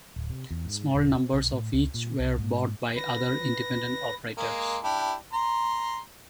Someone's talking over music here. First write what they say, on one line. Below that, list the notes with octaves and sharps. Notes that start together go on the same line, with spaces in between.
Small numbers of each were bought by other independent operators.
D1
C3
E2
G#2
D#1
C4
B1
A2
C#2
A#2
C2
G#2
B4 A#6
G#3 A#3
D4 E4 G4
A#5 C6